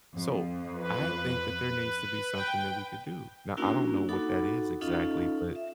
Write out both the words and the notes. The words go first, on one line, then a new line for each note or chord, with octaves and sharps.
So, I think that there needs to be something that we could do. Now I don't know what that is exactly, but
F2
B4
G5
A#3 C#4 D4 E4 F#4 A#4
D#4 F#4 A4 F#5 B5 D6
C#4 D#4 F4 A4 D#5 F5
E5